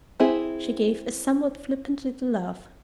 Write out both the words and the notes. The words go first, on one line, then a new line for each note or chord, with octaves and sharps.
She gave a somewhat flippant little laugh.
C4 E4 G#4